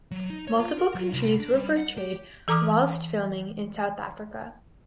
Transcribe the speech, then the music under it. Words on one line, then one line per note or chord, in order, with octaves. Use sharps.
Multiple countries were portrayed whilst filming in South Africa.
F#3
D#4
C#5
F4
A#4
F#3
C2
D4
G3
F#5
G4
E3 A4 A#5 D6 D#6 F6